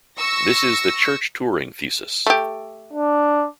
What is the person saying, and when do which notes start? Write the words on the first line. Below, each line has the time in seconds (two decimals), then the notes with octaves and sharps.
This is the Church-Turing thesis.
0.18 C#6 E6 A#6
2.26 A3 G4
2.93 D4